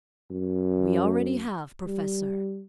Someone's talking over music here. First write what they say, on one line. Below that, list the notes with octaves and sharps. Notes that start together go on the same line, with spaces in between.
"We already have, professor."
F#2
G3